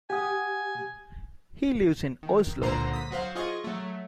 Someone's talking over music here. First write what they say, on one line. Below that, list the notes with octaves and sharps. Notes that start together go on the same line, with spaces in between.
He lives in Oslo.
G4 F#5 G#5 D#6
D#3
C#2 A#2 D3 C5 A#5 C7
D#6 B6
F#3 F#4 C5 F5
F4 G#4 D#5 C#6
F#3 A3